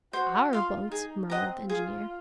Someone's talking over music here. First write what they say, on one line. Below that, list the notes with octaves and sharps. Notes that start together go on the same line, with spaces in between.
"Our boat?" murmured the engineer.
F#4 C5
F4 F5 C6
D#4 G#4
C4 D#5 F#5 A#5
F4 G#4